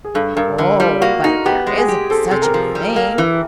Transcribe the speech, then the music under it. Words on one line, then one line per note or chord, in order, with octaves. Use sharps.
"Oh; but there isn't such a thing."
G#4
G2 A4
G2 A#4
D3 A#4
G3 F4
A#3 F#4
D#4 F#4
B3 G4
G#3
G#4
G4
C4 A4
C3 A4
A#4
F3
G3
A#3
E3